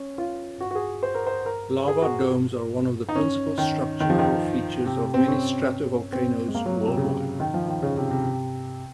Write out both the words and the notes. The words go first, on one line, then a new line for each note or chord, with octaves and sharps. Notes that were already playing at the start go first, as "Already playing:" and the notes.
Lava domes are one of the principal structural features of many stratovolcanoes worldwide.
Already playing: C#4
F4
F#4
F#4
G#4
C5
A#4
C5
A#4
G#4
F#4
D#4
C#4
D#3
D#3
F3
D#3
C3
C4
C#4
C4
G#3
A#3
F#3
C3
C#3
D#3
F3
D#3
C#3
C3
C3